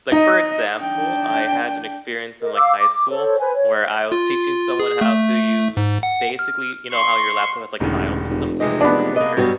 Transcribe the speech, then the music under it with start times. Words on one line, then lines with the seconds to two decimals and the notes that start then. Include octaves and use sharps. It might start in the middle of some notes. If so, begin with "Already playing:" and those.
like, for example, I had an experience in, like, high school where I was teaching someone how to use, basically you know how your laptop has like file systems and you your folders,
0.12 D#4 D#5
0.81 D4 G5
2.42 A#4 D#5
2.56 F5 D6 E6
2.78 D6
3.10 A4 C5 C#5
3.39 B4 C5 G#5
3.53 C#5
4.12 F4
4.80 G#4
5.01 A3
5.77 G#2
6.03 F#5
6.39 F6
6.92 C6 C#6
7.80 E1 A1 D#2 D3 D#3
8.30 F1
8.60 C3 E3 G#3 G4 D#5
8.81 B3 D4
9.16 A#3 D#5
9.37 G2 B2 F#3 G3 B3